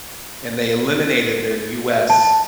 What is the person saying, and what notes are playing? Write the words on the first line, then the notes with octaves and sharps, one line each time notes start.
and they eliminated their US
A5